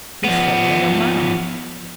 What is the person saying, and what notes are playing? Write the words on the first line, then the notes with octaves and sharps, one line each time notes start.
"He's following a man!"
F3 B3